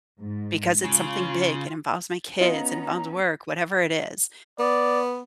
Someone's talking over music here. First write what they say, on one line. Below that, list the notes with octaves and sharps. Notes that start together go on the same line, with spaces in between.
Because it's something big. It involves my kids, it involves work, whatever it is."
G#2
C#3 F4
B3 C#4 F4 D#5 A#5
B3 D5